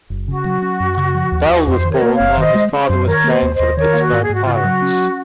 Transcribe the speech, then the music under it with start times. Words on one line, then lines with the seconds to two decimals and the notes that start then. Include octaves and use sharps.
Bell was born while his father was playing for the Pittsburgh Pirates.
0.10 F#1
0.28 C#3 F#4
0.45 F#3
0.62 C#4
0.80 F#2
0.97 C#3
1.15 F3
1.32 D#2
1.50 D#2
1.67 F2 C5
1.85 D#3
1.90 A#4 C#5
2.02 A#3
2.13 C#5 F5
2.20 F#1
2.37 D#3 C5 D#5
2.55 G#3
2.73 C#4
2.83 C5
2.89 F#2
3.07 D#3 A#4 C#5
3.24 A#3
3.30 C5
3.42 D#2
3.53 C5 D#5
3.60 D#2
3.76 D#3 A#4 C#5
3.89 A#3 F4
4.00 F#4
4.12 G#2
4.24 G#4
4.29 G#2 F#4
4.44 C#3 F4
4.54 F#4
4.64 F#3
4.82 C#4